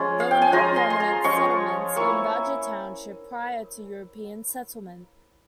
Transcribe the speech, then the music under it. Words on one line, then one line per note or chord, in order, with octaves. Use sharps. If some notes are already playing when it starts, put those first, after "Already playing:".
There were no permanent settlements in Badger Township prior to European settlement.
Already playing: F3 G#3 C#4 F4
F5
G5
G#5
F3 G#3 C#4 F4 A#5
C6
C6
A#5
F3 G#3 C#4 F4 C#6
A#3 E4 C#6